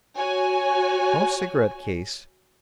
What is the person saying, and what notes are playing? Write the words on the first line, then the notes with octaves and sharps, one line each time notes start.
No cigarette case....
F#4 C#5 G#5